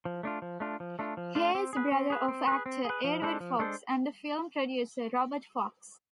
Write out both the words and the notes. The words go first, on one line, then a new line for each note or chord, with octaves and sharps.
He is the brother of actor Edward Fox and the film producer Robert Fox.
F3
A3 D4 F4
F3
A3 D4 F4
F3
A3 D4 F4
F3
A3 D4 F4
C4
G#4 B4
C4
G#4 B4
C4
G#4 B4
C4
G#4 B4
F3
G#3 D4 A4 C5
F3
G#3 D4 A4 C5